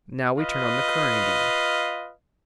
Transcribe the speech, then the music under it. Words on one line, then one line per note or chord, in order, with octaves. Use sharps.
Now we turn on the current again.
F4 B4 D#5 F5